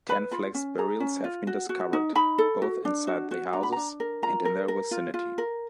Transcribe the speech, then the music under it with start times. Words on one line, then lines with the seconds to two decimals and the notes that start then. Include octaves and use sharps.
Ten flexed burials have been discovered, both inside the houses and in their vicinity.
0.09 B4 B5
0.31 F4 B5
0.55 C#4
0.78 G#4 A#5
1.00 C#4
1.24 F4
1.47 F#4
1.69 F#4
1.93 D#4
2.15 D#4 B5
2.38 A4
2.62 F#4
2.85 D4
3.07 F#4
3.31 F#4
3.53 D4 A#5
3.63 B5
3.72 D4 A#5
4.00 A#4
4.22 F4 A#5
4.45 A#4
4.68 A#4
4.91 F4
5.14 F4
5.38 A#4